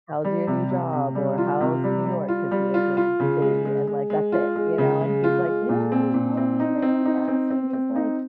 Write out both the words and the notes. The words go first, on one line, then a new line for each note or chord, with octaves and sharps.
"How's your new job?" or "How's New York?" 'cause he lives in the city and like that's it, you know, and he's like, "They don't really know me, they only ask me these like
G3
C3
C3
C3
G3
F4
C3
G3
G3
F4
G3
F4
F4
C#3
G#3
G#3
G#3
G#3
F4
G#3
C#3
G#3
F4
G#3
A#2
C4
A#2
C4
D#4
C4
D#4
C4
C4
C4
D#4